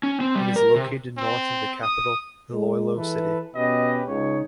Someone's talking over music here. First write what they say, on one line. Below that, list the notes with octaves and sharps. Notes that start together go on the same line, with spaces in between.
It is located north of the capital Iloilo City.
C#4
C4
G3
A#4
C3
C4
D#6
G#3
E3 A4 B4
B2 C#4 G4 B4 D#5
C#2 C#3 D#4 C#5